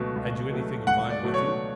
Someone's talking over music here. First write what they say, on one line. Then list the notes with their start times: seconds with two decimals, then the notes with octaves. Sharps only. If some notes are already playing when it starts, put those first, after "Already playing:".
"Had you anything of mine with you?"
Already playing: C#2 B2 F#3 A3
0.16 C#2
0.51 B2 F#3 A3
0.87 C#2 F#5
1.10 D5
1.22 B2 F#3 A3
1.34 C#5